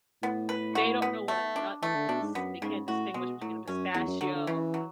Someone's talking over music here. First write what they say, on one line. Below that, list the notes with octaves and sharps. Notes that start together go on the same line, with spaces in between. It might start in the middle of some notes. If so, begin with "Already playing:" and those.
They don't know what a nut is, they can't distinguish between a pistachio,
A2 B3
B4
F#4
B3
A3
D4
E3 A3
D3
B2 D4
G#2
F#2 B3
G#2 C#3
A2 F#4
B2 G#3
A2 F#3
F#2 C#4
E2 F#3
F#2
D3 F#3
D3
C#3 E3
F#3